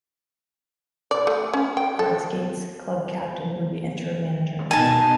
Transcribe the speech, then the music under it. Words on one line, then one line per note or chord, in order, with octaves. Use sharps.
Garth Scates, Club captain would be interim manager.
D5
A3
C#4
G5
A4
B2 D#4 G#5 A5